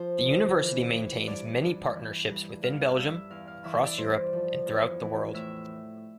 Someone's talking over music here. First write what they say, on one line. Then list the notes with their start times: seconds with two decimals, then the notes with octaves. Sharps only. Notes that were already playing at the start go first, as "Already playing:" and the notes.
The university maintains many partnerships within Belgium, across Europe, and throughout the world.
Already playing: F3 C5
0.25 D3
0.60 E3
0.93 E3
1.27 G2 D5
1.61 G2
1.95 E3
2.29 G2
2.62 G2 F5
2.97 G2 E5
3.30 E2 F5
3.47 F5
3.64 E3 E5
3.82 D5
3.98 G2 C5
4.33 F3
4.66 E2
5.01 E3
5.33 A2 E5